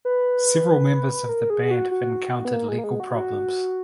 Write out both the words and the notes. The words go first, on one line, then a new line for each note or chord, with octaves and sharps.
Several members of the band have encountered legal problems.
B4
A#4
G#4
G#4
F#4
F#4
B3
A#3
G#3
A#3
G#3
F#4
F#4